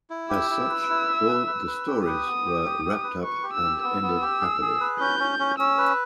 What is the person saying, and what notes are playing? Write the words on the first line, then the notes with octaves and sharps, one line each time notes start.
As such, all the stories were wrapped up and ended happily.
E4
G4 E6
E4
B4
E4
E5
B4
B4
B4
G4
B4 D#6
B3
G4
G4
G4
B4
B4 C#6
G4
E6
G4
B3 E6
B3
G4
G#4
G#4
B4
C#4 G6
C#4
C#4
C#4 E6
B4